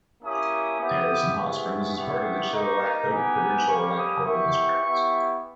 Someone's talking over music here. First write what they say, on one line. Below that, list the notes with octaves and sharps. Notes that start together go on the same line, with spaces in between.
Harrison Hot Springs is part of the Chilliwack-Hope provincial electoral district.
A#3 C#4 E4 G4 D#6
B3 E4 G4 D#6
G#3 B3 E4 G4 C#6
G3 B3 E4 G4 C#6
A#3 D#4 G4 C#6
A#5
B3 D#4 G4 G#5
G3 A#3 C#4 G4 C#6
D#6
B3 E4 G4 C#6
B3 E4 G4